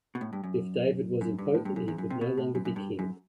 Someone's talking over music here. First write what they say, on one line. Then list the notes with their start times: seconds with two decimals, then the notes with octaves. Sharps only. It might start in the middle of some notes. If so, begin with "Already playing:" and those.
If David was impotent he could no longer be king.
0.15 B2
0.21 A2
0.33 G2
0.44 F#2
1.21 F#2
1.38 G2
1.55 A2
1.65 G2
1.76 F#2
1.88 E2
1.98 F#2
2.10 C3
2.21 B2
2.38 A2
2.55 F#2
2.65 F#2
2.76 G2
2.99 F#2